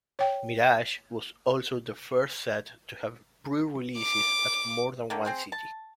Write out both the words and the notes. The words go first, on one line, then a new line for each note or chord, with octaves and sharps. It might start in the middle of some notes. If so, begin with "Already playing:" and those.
"Mirage" was also the first set to have pre-releases at more than one city.
C#5 G5
D6
D3 D#3 A#3
C4 G#4 C5
A5